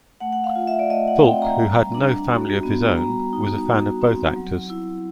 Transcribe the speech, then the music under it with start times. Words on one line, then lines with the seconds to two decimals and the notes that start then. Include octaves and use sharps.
Fulk, who had no family of his own, was a fan of both actors.
0.20 A3 F#5
0.33 F#5
0.44 F5
0.56 F4
0.67 E5
0.79 D5
0.90 A3 D#5
1.08 F#5
1.24 C4 G5
1.42 A#5
1.60 G3
1.94 D4
2.28 F#4
2.63 B3
2.97 G3 A#5
3.33 D#4
3.66 F#4
4.01 C4
4.36 F#3
4.70 E4